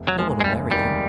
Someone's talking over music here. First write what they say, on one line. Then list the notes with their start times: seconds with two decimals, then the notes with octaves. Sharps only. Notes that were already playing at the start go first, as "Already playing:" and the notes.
No one will marry you.
Already playing: F1
0.08 F#3
0.18 D#2 D#3 F3 G#3
0.40 G#3
0.44 F1 G3
0.71 D#2 D#3 G3 G#3